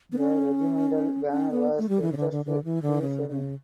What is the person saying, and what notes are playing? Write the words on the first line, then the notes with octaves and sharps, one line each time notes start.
The regimental banner was entrusted to Sen.
B3
C#4
C#4
B3
A3
G3
E3
C#3
D3
D3
D3
E3
D3
C#3
C#3